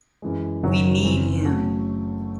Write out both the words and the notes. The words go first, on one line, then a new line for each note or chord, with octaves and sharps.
We need him.
F#2 E3 G#3
F#1 F#2 D#3 F#3 C#4
F#1 F#2 C#3 E3 C4
C#3 F#3 A3